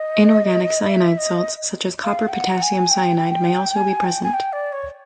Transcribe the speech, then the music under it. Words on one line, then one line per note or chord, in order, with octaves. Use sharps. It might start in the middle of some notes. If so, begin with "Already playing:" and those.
Inorganic cyanide salts such as copper potassium cyanide may also be present.
Already playing: D#5
E5
D#5
F5
G5
F#5
G#5
G5
G#5
G5
G#5
G5
D5
C#5